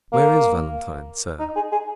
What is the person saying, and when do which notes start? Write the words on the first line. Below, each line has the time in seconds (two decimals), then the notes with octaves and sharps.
Where is Valentine, sir?
0.13 A#3
1.40 D#4
1.56 G#4
1.72 G#4